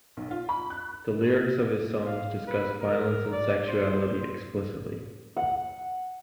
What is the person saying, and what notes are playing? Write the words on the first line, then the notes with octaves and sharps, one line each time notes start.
The lyrics of his songs discuss violence and sexuality explicitly.
B1
F4
B5
F#6
F5
B4
A#4
D5
C5
F#5